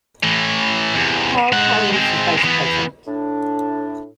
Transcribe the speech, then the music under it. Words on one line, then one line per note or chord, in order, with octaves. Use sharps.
Paul Carlos is vice president.
A2 E3
E2 C3
G#3 F#5
G#3 C4
E3 B3
A2 D4